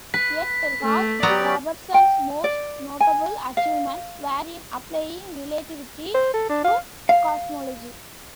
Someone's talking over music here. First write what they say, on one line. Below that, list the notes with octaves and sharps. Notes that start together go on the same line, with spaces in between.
Yet perhaps Robertson's most notable achievements were in applying relativity to cosmology.
B4 B6
A3
F#3 B3 G4 D5 A#5
G5
D5
G#5
F5
C5
A4
D4
F5
F5